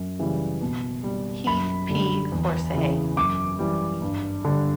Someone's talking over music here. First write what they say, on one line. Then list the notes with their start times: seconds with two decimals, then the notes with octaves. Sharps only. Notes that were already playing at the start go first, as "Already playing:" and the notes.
Heath, P. Horsehay.
Already playing: F#2
0.19 C#3 E3 G3
0.61 B2
1.03 G3
1.46 F#2 B5
1.89 D3 G3
2.32 E2
2.74 C#3 E3
3.16 F#2 D6
3.59 E3 G3
4.02 G2
4.45 D3 G3